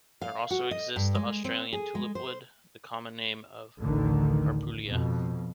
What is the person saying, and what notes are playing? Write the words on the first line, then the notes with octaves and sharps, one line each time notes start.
There also exists the Australian "tulipwood", the common name of "Harpullia".
F5
F#4
D#5
G2
G#3
C4
G#4
G#3
C5
A1 D2 D3 D#3
F2 B2